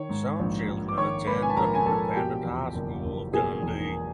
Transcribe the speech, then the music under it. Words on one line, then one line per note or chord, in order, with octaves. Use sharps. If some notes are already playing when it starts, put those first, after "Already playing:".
Some children attend the independent High School of Dundee.
Already playing: D#3 C#5
G#2
A#1
A#1
D6
D#3 C#5 C#6
G#2 B4 B5
G#5
A5
A#1 A#4 A#5
G#5
A#1 A4 A5
B2 G4 G5
E2
F#1
F#1
B2 G#4 G#5
E2